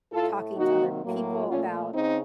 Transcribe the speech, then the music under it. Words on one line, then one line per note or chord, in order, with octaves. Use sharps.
talking to other people about
A2 A3 F4 A4
C3 D#3 F#3 A#3 D#4 F#4
A2 F#3 A#3
A#2 A3 C#4 F4
C#3 C4 D#4